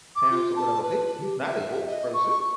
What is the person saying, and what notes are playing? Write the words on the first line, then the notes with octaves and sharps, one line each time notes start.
parents or whatever, they He's not an old person,
D6
F4
A5
B4
G4
E5
D#5
C#6